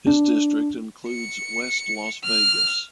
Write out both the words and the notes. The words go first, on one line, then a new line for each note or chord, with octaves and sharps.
His district includes West Las Vegas.
D4
C#7
F6